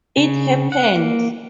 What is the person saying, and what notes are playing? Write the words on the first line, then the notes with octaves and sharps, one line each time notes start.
It happened.
C#3
F#5
A#3